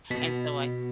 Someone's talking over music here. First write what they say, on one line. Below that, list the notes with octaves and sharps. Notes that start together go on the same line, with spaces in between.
And so I
B2 B6